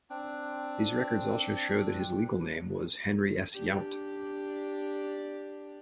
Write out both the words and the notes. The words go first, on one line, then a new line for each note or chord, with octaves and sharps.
These records also show that his legal name was Henry S. Yount.
C4 D4
D4 G4